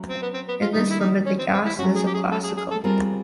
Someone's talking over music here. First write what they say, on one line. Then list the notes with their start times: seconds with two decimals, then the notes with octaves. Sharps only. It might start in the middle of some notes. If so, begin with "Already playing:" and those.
In this limit, the gas is classical.
Already playing: F#3 A3 C#4
0.10 C4
0.22 B3
0.34 C4
0.49 B3
0.62 F4
0.74 D#3 G3 A#3 D4 D#4
0.91 E4
1.00 D#4
1.26 C#4
1.39 C4
1.53 C4
1.66 E4
1.79 F#3 A3 C#4 F#4
1.96 G#4
2.07 G4
2.14 G#4
2.32 A4
2.44 G#4
2.57 G#4
2.71 A4
2.84 G3 C4 F4 G#4 A#4